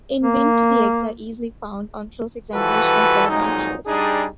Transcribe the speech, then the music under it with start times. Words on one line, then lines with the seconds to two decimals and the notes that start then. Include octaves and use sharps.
In winter the eggs are easily found on close examination of bare branches.
0.21 A#3
2.55 E3 F3 G3 F#4 A4 B4
3.28 F2 A#2 F#3 G#3 D#4
3.86 G3 D4 D#4 G#4